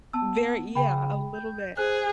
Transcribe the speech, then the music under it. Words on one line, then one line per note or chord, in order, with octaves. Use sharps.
Very yeah, a little bit.
B3 A5 E6
C#3 G5 B5
G6
G#4 C5 F#6